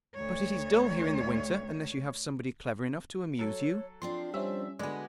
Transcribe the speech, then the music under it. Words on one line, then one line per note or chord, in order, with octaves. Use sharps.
But it is dull here in the winter unless you have somebody clever enough to amuse you.'
D2 C#5
F#3 A4 C#5
F3 C4 D4 F4 C6
G3 C#4 C5 E5
D3 G#3 B3 F#4 B4 D5 G#5